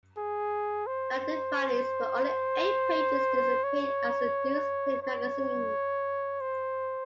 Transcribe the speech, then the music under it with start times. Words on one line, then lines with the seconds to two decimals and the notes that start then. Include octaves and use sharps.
Like "The Funnies", but only eight pages, this appeared as a newsprint magazine.
0.17 G#4
0.87 C5
3.64 C#5
5.02 C#5
6.41 C5